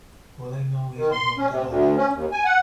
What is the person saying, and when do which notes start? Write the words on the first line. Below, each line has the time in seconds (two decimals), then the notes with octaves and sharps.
All I know is, I'm going to have it.
0.97 D#3
1.12 C6
1.37 C#4
1.50 C3
1.67 D2
1.97 C#4
2.12 D#2
2.32 G#5
2.45 F#5